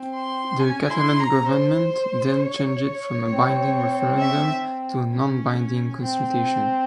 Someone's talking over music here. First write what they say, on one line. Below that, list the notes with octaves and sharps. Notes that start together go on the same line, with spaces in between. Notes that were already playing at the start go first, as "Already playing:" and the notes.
The Catalan government then changed it from a binding referendum to a non-binding "consultation".
Already playing: C4
C6
C#4 G#5
E4 C6
C#4 A#5
C5
C#5
C4
E5
C#4
C4